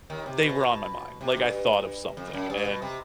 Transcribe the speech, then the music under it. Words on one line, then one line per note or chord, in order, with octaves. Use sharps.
they were on my mind. Like, I thought of something and,
D#2 D#3
C3
B2
C3
G2
F2
F#2
G2
B2
C3